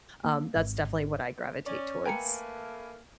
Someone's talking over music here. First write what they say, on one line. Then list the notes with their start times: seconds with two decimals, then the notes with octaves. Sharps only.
um, that's definitely what I gravitate towards.
0.24 A#3
0.56 G#1
1.66 C#4 D5
2.06 A3 A#3 B4 G5 G#5 A#5 C#7